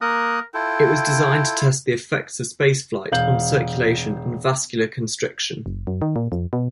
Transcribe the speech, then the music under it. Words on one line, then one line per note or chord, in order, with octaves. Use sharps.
It was designed to test the effects of spaceflight on circulation and vascular constriction.
A#3 A#4 D#6 F#6
E4 F4 A4 G5
E1 F5 G6 F#7
F#1
F#2
D#3
A#2
F2
B2